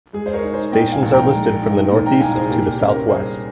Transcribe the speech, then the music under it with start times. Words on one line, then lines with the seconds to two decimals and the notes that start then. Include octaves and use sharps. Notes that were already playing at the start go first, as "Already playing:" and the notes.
Stations are listed from the northeast to the southwest.
0.13 G#3 G#4
0.26 C5
0.33 A#4 C#5
0.44 D#4
0.53 G#4 C5
0.72 A#2 D#5 G5
0.92 F5 G#5
1.02 A#1
1.12 G5 A#5
1.32 G#3
1.62 D#4
1.92 A#2
2.06 G5 A#5
2.20 C2 F5 G#5
2.35 G#4 C5
2.50 A#3 G4
2.79 C#4
2.89 G4 A#4
3.09 G3 G#4 C5